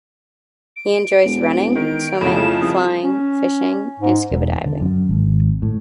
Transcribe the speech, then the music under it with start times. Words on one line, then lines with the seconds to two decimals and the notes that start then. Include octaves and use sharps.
He enjoys running, swimming, flying, fishing, and scuba diving.
0.76 D7
1.24 E1
1.76 D#3 D7
2.21 F2 A2 C#3 E7
2.62 C2 D#6
3.01 C#4
4.00 G#2
4.31 E1
4.66 D3
4.81 F#2
5.09 G#1
5.62 A2